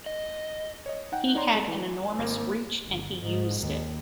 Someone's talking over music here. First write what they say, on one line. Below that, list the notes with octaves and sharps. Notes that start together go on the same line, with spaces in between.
He had an enormous reach, and he used it.
D#5
C#5 D#5
D#4 F#5 G5
D#4 C#5 D5 A#5 C6
G#3
E3
G#1 A#3
G1
G#2
D#2